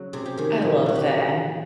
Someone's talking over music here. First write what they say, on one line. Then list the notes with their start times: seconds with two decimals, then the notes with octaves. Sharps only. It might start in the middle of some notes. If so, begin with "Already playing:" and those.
I love that.
Already playing: C#3 F#3
0.13 C3 G#4
0.26 G4
0.37 D#3 G#4
0.62 A#2
0.86 F#3 F#4
0.96 G4